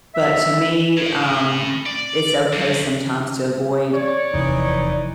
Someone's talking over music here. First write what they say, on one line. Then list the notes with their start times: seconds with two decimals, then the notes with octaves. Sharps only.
but to me, um, it's okay sometimes to avoid
0.14 E5
0.98 A2
1.86 D5
2.53 D#2
3.93 C#5 D5
4.34 F1 E2 E3 D#4